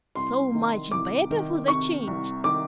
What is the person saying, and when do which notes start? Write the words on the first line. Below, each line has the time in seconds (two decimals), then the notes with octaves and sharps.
So much better for the change!
0.15 C2 C6
0.54 D#3
0.91 C2 D6
1.30 D#3
1.68 C3 C#6
2.07 C2
2.44 D#3 D6